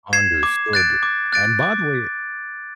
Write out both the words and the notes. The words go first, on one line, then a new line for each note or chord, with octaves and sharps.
Understood. And by the way, eh, uh
G#6 C7 E7
D6
F#6 A6 D7
D6
F#6 A6 D7
D6